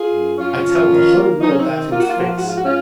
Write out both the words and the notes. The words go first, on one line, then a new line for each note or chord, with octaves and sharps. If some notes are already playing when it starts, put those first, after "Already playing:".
I tell the whole world that to its face!
Already playing: F4 G#4
F#2
F#2 C#4 F4
F3
D#3
A#3
F#3 D#4
C#4
C4 D#4
D#3
A#3 F4
F#4
F4
F3 F#4
F4
F#4
G#2 F4
F#4
C#4 F4